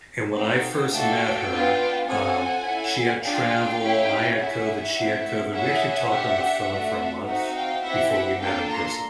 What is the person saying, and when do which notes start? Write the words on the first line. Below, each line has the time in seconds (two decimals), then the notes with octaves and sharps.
and when I first met her, um, she had travel I had COVID; she had COVID, we actually talked on the phone for a month before we met in person.
0.33 C4 D#4 F#4 A4 F5 G5
0.92 A3 D4 F#4 A4 F5 G5
1.50 B3 D4 F4
2.06 C4 F4 A4 F#5 G#5
2.64 C#4 E4 A4
3.22 D4 F4 G#4 F5 G5
3.79 C#4 E4 G4
4.37 C#4 E4 G#4 E5 F#5
4.95 A3 C4 E4 G4
5.52 C#4 E4 G#4 E5 F#5
6.10 D4 G4
6.68 A3 D4 F#4 A4
7.25 C4 D#4 F#4 E5 F#5
7.54 F5 G5
7.83 C4 E4 G4 E5 F#5
8.12 E5 F#5
8.41 A#3 D4 F4 A4 F5 G5
8.69 A#5 C6